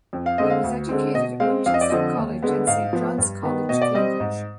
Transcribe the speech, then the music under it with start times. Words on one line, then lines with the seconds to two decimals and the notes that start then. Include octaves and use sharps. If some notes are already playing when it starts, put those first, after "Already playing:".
He was educated at Winchester College and Saint John's College, Cambridge.
0.13 F2
0.26 F5
0.38 D3 G#3 C4 D#5
0.50 F5
0.63 D2
0.89 D3 G#3 C4
1.14 B2 D#5
1.40 G#3 C4 F5
1.66 F2 F5
1.74 D#5
1.81 D5
1.90 D3 F3 C4 D#5
2.16 D#2
2.43 D3 G#3 B3
2.67 G#2 F5
2.93 F3 B3
3.18 G2
3.43 D#3 B3
3.69 B2 D#5
3.81 D5
3.94 G3 C4 D#5
4.20 G#2